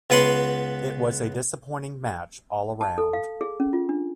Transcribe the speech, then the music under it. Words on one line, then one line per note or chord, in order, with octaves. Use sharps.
It was a disappointing match all round.
C#2 B3 B4 F#5 C6
A5
A4
F5
G#4
C#4
F4
D4